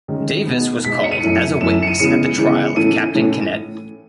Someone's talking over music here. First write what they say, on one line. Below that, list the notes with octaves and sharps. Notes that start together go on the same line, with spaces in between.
Davis was called as a witness at the trial of Captain Kynette.
D#3 G#3 C#4
B2 G#3 B3 D#4
B2 G#3 B3 D#4 B6
C#7
D#7
F#2 E3 A3 C#7
F#2 E3 A3 E7
E7
C#7
D#7
C#3 E3 G#3 B3 C#7
C#3 E3 G#3 B3 C#7
A2 E3 A3 C#4 D#7
A2 E3 A3 C#4